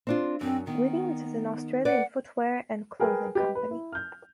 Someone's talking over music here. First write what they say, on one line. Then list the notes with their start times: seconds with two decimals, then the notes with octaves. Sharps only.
Williams is an Australian footwear and clothing company.
0.07 C4 D4 F4
0.41 F#2 C4
0.67 D#3 B3
1.85 B4 D5 F#5
3.00 G#4 A#4 B4 G5 G#5
3.35 G4 B4 D#5
3.55 B4
3.71 E4
3.92 F6 G6